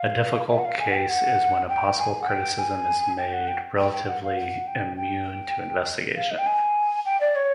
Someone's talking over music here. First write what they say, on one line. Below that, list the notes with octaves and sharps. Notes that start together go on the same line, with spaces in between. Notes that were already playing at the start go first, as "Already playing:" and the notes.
A difficult case is when a possible criticism is made relatively immune to investigation.
Already playing: F5
E5
F#5
F5
G#5
F#5
G5
F#5
G5
G#5
F#5
G5
G#5
G5
F#5
G5
G5
G5
F#5
F5
F#5
G5
G5
F5
D#5
G5
G#5
G5
D5
C#5